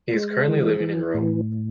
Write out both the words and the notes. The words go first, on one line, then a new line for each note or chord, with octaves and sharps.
He is currently living in Rome.
G#3
E3
E3
A2